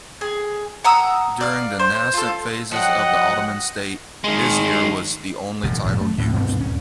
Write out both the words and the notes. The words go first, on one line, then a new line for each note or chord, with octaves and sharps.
During the nascent phases of the Ottoman state, "Vizier" was the only title used.
G#4
F#5 A#5 D#6 E6
D5 F5
C5
F4 A4
F3 F#3 D#5 F#5 G5
D#3 G#3
E1 F#2 A2
G#1 F#2 A#2 C#3
A3
D2 A2
G2 B2 C4
D#1 C#4